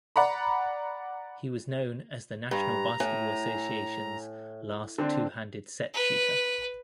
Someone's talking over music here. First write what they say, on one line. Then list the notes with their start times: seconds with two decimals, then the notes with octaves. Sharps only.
He was known as the National Basketball Association's last two-handed set shooter.
0.16 D5 F#5 A#5 B5
2.51 G2 A#5
3.00 A2 G#5
4.98 D3 C4 D4
5.94 B4